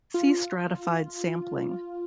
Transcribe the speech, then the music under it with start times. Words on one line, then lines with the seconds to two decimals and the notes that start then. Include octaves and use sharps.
See stratified sampling.
0.14 F4